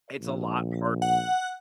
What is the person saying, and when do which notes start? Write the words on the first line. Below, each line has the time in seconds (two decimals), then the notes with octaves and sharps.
it's a lot harder
0.21 A#1
1.02 F#5